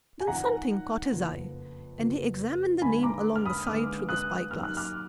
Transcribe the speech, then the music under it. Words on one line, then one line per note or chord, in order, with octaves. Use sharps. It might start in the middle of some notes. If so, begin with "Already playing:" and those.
Then something caught his eye and he examined the name along the side through the spyglass.
G#5
G#1 G#2 F3 F#5 A#5
F#1 F2 F3 B3
F#1 F2 F3 B3
D#2 D3 G#3 B3 G#5 B5
A#5 D6
F6
B5 D#6
D#2 D3 G#3 B3 D6 F6
D#6 F#6
D#2 D#3 F#3 F6
F#6
D6 F6